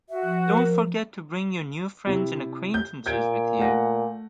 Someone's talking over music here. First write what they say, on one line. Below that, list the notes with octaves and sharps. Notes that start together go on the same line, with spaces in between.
Don't forget to bring your new friends and acquaintances with you.
F#4 E5
F3
A#4
C3 E4
G6
A#2 G6 G#6 D7
A3 F#5 A#6